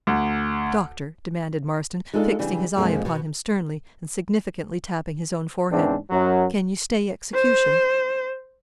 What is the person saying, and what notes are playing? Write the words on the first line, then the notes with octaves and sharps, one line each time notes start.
"Doctor," demanded Marston, fixing his eye upon him sternly, and significantly tapping his own forehead, "can you stay execution?"
D2
G#3 D4 D#4 F4 A4
C#3 E3 G3 D4
F2 A#2 D3 F3 G#3
B2
E2 G#2 C#3 C4 D4
F#2 F#3
C5